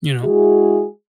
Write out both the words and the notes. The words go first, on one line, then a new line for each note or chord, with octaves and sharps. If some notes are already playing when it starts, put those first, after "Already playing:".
you know?
G#3 E4 F#4 G#4